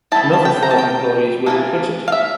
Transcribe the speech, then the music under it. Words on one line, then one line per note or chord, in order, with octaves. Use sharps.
Another five employees were acquitted.
E3 G3 C4 A5
A5
G5
A#5
A5
G5
E3 G3 A#3 D4
F5
E5